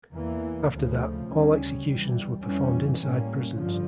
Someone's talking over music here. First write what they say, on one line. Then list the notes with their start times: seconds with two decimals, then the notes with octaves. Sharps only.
After that, all executions were performed inside prisons.
0.13 E2 E3 A#3
0.70 D2 C#3 F3 A3
1.27 D2 C#3 G3 C#4
1.83 E2 E3 G3
2.41 F2 E3 G3 C#4
2.97 A2 G3 A#3 C#4
3.54 G2 D3 F3